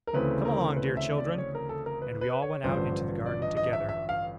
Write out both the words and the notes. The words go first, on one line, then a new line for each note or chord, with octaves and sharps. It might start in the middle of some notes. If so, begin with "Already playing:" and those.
"Come along, dear children!" And we all went out into the garden together.
A#4
D2 C#3 E3 A3 C4 B4
A#4
B4
E5
D5
C#5
A#4
A4
A#4
B4
B4
C#5
A1 G2 D3 F3 C5
D5
D#5
D#5
E5
E5
F5